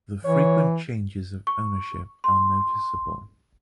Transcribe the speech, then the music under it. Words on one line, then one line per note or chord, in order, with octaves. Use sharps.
The frequent changes of ownership are noticeable.
E3 C#5
C#6
C6